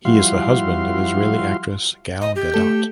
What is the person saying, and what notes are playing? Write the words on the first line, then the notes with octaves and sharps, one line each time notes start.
He is the husband of Israeli actress Gal Gadot.
F3 G3 E4 F#4 F5 C6
D#5
G4
A3 A4 G6